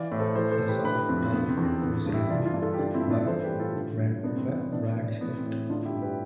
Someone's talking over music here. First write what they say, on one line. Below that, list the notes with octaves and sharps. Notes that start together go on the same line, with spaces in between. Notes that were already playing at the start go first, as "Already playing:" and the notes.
The song "Time" was written by bandmember Bryan Scott.
Already playing: E3 D5 F5
A2
A4 C5
E3 A4 C5
A4 C5
A2
G4 B4
D3 G4 B4
F2 C4
D3 B3
C4
E2
C4
D3 B3
G2
E4 G4
E3 D4 F4
D4 F4
G2
F4 A4
G4
D3 D4 F4
C4 E4
G2
B3 D4
E3 A4 C5
G4 B4
A2
F4 A4
D3
G2
C3 B3 D4
C4
E3 B3
C4
E3 B3 D4
A2
E3 B3
C4
A2
C4
D3 D4 F4
E4 G4
G2
G4 B4